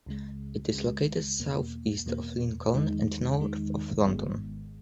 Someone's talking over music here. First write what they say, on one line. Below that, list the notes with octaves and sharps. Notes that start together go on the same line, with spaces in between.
It is located south east of Lincoln and north of London.
C#2 C#3 G#3
C#2 C#3 G#3
E2 B2 A#3
E2 B2 A#3
E2 D#3 G#3 D#4
E2 D#3 G#3 D#4
G#1 G#2 D#3 G#3 B3